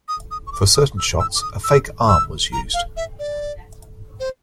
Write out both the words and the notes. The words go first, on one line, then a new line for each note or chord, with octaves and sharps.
For certain shots, a fake arm was used.
D#6
D#6
C#6
D6
D#6
E6
E6
D6
D#6
E6
E6
A#5
F5
E5
D5
C5